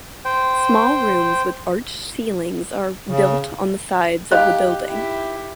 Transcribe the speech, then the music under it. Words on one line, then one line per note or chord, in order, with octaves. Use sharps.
Small rooms with arched ceilings are built on the sides of the building.
C5 G5
C#3
D#3 D#4 G4 F5 F#6
E4 G4